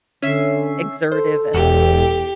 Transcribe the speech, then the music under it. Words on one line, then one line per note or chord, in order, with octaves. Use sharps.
exertive, as far
D3 C#4 E5 C7
A4 C5
E1 E2 G4